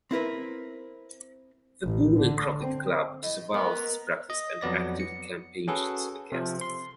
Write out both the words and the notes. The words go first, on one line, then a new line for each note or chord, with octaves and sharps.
The Boone and Crockett Club disavows this practice and actively campaigns against it.
C4 E4 A#4 B4
A1
D3
C4
A2 D#5
G#3 B3 A#4
D#5
F2 F#3 B3 D5 A#6
C#7
C#4 F#4 G#4 A4 B4
C3 F3 A4
C6